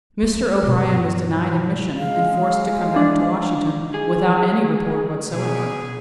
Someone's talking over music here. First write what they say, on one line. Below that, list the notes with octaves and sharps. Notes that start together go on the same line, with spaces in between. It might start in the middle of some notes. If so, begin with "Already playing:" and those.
Mr. O'Brien was denied admission and forced to come back to Washington without any report whatsoever.
A3
G2 B2
G#3 F5
D4
G#4
B2 G#4